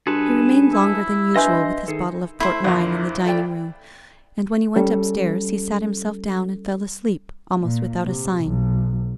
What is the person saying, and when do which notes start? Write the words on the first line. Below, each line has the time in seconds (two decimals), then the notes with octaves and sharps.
He remained longer than usual with his bottle of port wine in the dining-room; and when he went upstairs, he sat himself down and fell asleep, almost without a sign.
0.07 G2 F#4 G#4 A4 B4
0.73 E4
1.36 G2 B4 D#5 E5 G#5 C6 G6
1.88 D#3 G#4 A4
2.40 A3 E4 C5
2.64 A#1 E2 D3 A#4
3.26 A3 D5 G5
4.76 G3 C#4 A4
7.61 A#2
8.03 C3
8.44 B1